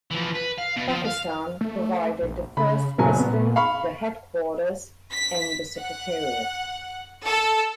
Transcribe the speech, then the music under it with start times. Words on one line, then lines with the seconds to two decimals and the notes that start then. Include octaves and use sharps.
Pakistan provided the first president, the headquarters, and the secretariat.
0.11 E3 F3
0.35 B4
0.58 F5
0.77 B2
0.88 F3
1.05 F5
1.61 A3
2.22 A#1
2.57 C#3 B5
2.98 F#1 A#2 F#3 G#5
3.19 B3
3.56 F5 B5 C#6
5.13 B6
5.79 F#5
7.25 A4